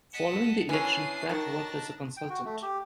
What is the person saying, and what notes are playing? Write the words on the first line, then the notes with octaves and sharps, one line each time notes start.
Following the election, Pratt worked as a consultant.
D#5 F#5 A5 B6
E3 C#4 D4 D#6 C7
D#3 F#3 A5 A#6
G5
F#4
A3
G4